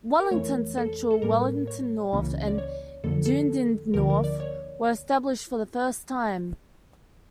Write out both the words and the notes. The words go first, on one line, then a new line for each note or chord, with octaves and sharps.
Wellington Central, Wellington North, and Dunedin North were established for the first time.
A#4
F2 E3 A3 C#5
A4
A4
A2 G3 A#3 A#4
C#5
C#2 C#3 E3 A#3 C#4
D5
C#5
F2 D3 F3 A#3 C#4 A4
A4
D2 D3 F3 A#3 A#4
A#4
D5
C#5